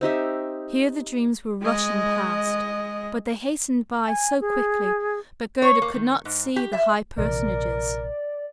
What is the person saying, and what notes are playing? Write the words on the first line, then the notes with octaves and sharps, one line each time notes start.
Here the dreams were rushing past, but they hastened by so quickly that Gerda could not see the high personages.
C4 D#4 G4 E5
G#3 D#5
G#5
G#4
C#5
A#3
D#3
G#2
G4
E5
A#1 C3 E3 A#4 D5